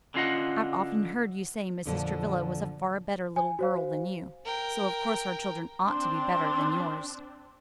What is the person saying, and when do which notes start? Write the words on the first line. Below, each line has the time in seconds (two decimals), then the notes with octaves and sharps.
"I've often heard you say Mrs. Travilla was a far better little girl than you; so of course her children ought to be better than yours."
0.14 D3 C#4 F4 D#5 F#5
1.85 F2 A#2 D3 F3
3.36 G#5
3.59 F#4 C5 F5
4.45 A#4 G5
5.85 C4 D4 C6